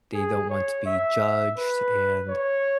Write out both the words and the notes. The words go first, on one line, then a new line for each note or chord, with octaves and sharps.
they don't want to be judged, and
G#4
C#5
E5
B4
C#5